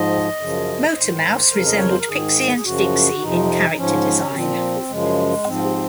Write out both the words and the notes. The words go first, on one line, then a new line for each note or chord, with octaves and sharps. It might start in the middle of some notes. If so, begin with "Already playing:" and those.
Motormouse resembled Pixie and Dixie in character design.
Already playing: G#2 F3 D#5
F#2 C#3 F3
G#2 D#3 C5
F2 C#3 F3 A#4
D#5
C#5
C5
A#4
G#2 D#3 G#4
G#4
F#2 C#3 F3 F#4
F2 C3 F3 D#4
D#4
G#2 F3 C#4
A#2 F3 C4
F#2 C#3 F3 G#3
G#2 F3 C4